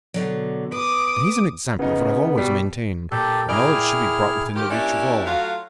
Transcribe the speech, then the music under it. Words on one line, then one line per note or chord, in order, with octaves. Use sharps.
And he's an example of what I've always maintained, that knowledge should be brought within the reach of all.
B2 D3 F#3
B4 D6 D#6
C#3 B3 D#4
B2 G3 B6
A#2 G4 A4
E4 G#4 D5 G5 A#5 F6
G2 D#3 F4 G4
A#3 C#4 D4 E4 G4 D5
F#3 A3 F4 F#4 F5